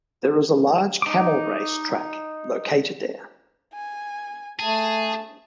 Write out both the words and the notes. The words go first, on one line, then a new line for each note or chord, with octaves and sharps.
There is a large camel race track located there.
D#4 D6
G#5
A3 G#4 A5